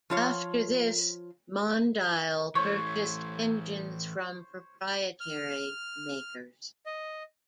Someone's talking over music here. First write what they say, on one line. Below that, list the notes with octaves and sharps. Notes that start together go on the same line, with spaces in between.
After this, Mondial purchased engines from proprietary makers.
F3 F4 C#5
E3 A3 C5 C#5 C#6
F6
D#5